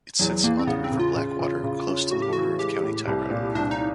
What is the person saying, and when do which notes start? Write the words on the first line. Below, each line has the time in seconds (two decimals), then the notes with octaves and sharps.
It sits on the River Blackwater, close to the border with County Tyrone.
0.19 E2 F#3
0.44 E2 A#3
0.59 C4
0.67 C#3 B3
0.84 C4
0.92 C#3
0.99 F4
1.16 C#3
1.40 C#3
1.63 C#3
1.88 C#4
2.11 A2 F#4
2.22 G4
2.33 E3 F#4
2.59 G#3 G4
2.83 A2
3.07 C2
3.31 A#2
3.55 C2 D4
3.71 D#4